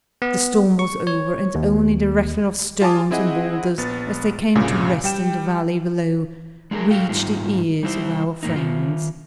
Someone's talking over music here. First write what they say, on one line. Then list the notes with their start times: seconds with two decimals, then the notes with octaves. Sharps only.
The storm was over, and only the rattle of stones and boulders, as they came to rest in the valley below, reached the ears of our friends.
0.22 B3
0.79 C#6
1.07 C#5
1.55 D#2
2.82 F4 G#5 A5 D6 D#6
3.11 C4 E4 G#4 D#5 F#5
3.78 A#1 B3 A6
4.55 C2 G2 A#2 C#3
5.04 G3 G5 E7
6.71 G#3 D4 F4 G4 G#4 A#4
6.91 F#4 A4 F5 G5
7.09 G#2 G3 D#4 F4
7.83 G3 E4 C5
8.43 F2 A2 A#3 D#4
8.56 D#3 F4